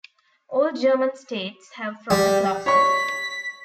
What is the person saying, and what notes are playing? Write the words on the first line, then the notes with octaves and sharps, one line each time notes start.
All German States have from the classroom.
G3
C#5 C#6 B6